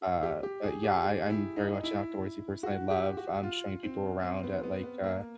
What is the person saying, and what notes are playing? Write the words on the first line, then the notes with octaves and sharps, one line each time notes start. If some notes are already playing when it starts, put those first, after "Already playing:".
Uh, but yeah, I I'm very much an outdoorsy person; I love, um, showing people around at, like, uh
G4
G4
G#4
G4
G4
E4
D#4
E4
F#4
G4
F#4
F4
C4
C4
B3
B3
B3
A#3